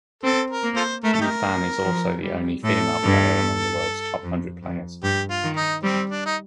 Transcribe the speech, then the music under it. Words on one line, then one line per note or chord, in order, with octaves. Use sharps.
Yifan is also the only female player among the world's top hundred players.
C4 A4
A#4
A#3
F4 A4 C5
A3 A#4
A4
D#4 G4 A#4
F3
G3
A2 A4
G2
F2
F2
G2 G4
F4
D#3
D#4
G3 C4
D4
D#4